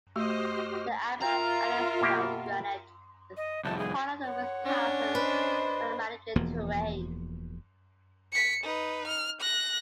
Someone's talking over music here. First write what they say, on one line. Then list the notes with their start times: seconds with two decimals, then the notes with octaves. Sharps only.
The Amberg-Athelstane Granite is part of the Wisconsin Magmatic Terrane.
0.16 A3 F#4 G4 C5 D#5 F6
1.21 F4 A#4 E5 A#5
2.01 B2 A#3 G4
3.37 D#5
3.65 C2 F2 A5
3.78 G#4
4.24 C#5 F#5
4.65 C#4 D4
5.15 B4 C5 D#5
6.36 E1 E2 F3 A#3
8.32 B6 C#7
8.63 D#4 B4
9.07 F6
9.40 F#6 A#6